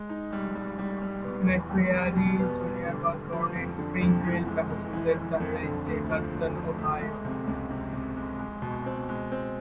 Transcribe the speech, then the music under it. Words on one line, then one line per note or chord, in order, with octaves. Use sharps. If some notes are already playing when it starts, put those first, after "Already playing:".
McCreary Junior was born in Springfield, Massachusetts, and raised in Hudson, Ohio.
Already playing: G#3
D#4
G3
G3
G3
G3
B3
E2
G3
G3
B2
B3
G3
D3
D3
F3
F2
D3
F2
E3
G#3
G#3
E3
E3
F2
D3
D2
F3
D2
F3
A3
G#3
C3
C#2
C3
C3
G#3
G#3
B2
C4
G#3
C4